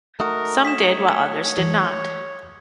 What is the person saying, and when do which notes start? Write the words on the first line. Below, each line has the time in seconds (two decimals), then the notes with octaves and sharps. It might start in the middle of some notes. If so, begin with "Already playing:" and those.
Some did, while others did not.
0.20 A3 D#4 F#4 A#4 D#6
0.65 C#5 B6 E7
1.57 A1